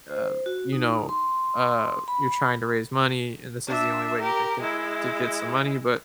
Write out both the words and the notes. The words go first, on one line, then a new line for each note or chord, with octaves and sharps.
uh, you know, uh, you're trying to raise money and this is the only way you can think to get some money, but,
C5
F#4
D#4
C6
B5
D4 E5
G4 A#4
G#3 E4